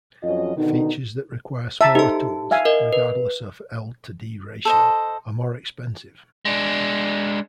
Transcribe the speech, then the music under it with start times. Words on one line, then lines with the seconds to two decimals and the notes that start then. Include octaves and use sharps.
Features that require smaller tools, regardless of L:D ratio, are more expensive.
0.23 F2 F#3 C#4 F4 D#5
0.56 B2 D3 D#3 D#4
1.81 E5 A5 A#5
1.95 D#4 G4 A4 C5 A5
2.51 E5 F5 G#5
2.65 A#4 D#5
2.93 B4
4.65 A4 C5 D#5
6.45 G#3 D4